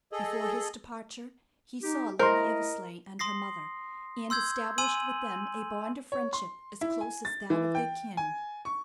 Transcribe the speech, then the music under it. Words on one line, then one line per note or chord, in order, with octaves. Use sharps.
Before his departure he saw Lady Eversleigh and her mother, and established with them a bond of friendship as close as that of their kin.
G#4 A4 D#5
D#4 G4
A3 E4 A#4 C5 D#5 C6
C6 D#6 A#6 C7
C6 E6 G6 G#6
G#5 C6 E6 D#7 F#7
C#5
C6
E4
G#5
A6
E3
G5
G#5
C#6